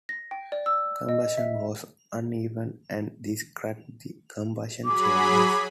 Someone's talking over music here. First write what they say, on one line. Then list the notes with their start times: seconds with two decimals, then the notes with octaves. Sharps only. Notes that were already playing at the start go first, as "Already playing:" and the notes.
Combustion was uneven and this cracked the combustion chambers.
0.09 A#6
0.31 G5
0.52 D5
0.66 E6
1.09 D#5
1.37 E5
4.85 F#3 G#4 B5 D6